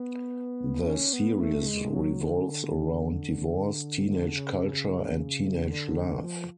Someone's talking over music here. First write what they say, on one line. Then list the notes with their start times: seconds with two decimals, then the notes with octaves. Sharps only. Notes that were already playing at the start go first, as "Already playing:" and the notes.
The series revolves around divorce, teenage culture and teenage love.
Already playing: B3
0.86 C#4
1.13 B3
1.40 A3
1.67 G#3
1.94 F#3
2.21 D3
2.47 D3
4.09 D3
4.36 C#3
4.63 C#3
5.70 D3
6.19 D3
6.24 F3